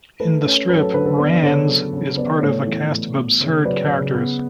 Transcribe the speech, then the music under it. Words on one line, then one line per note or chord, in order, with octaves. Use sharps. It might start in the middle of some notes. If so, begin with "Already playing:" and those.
In the strip, "Rands" is part of a cast of absurd characters.
A3 B4
C#4
F#3 B4
A4
D3 B4
A4 C#5
B3 B4 D5
D5
C#3 A4 C#5
F#3
C#3
B3 B4 D5
A2 A4 C#5
E3
A2
B3
C#3
F#3 B4 D5
C#3
B3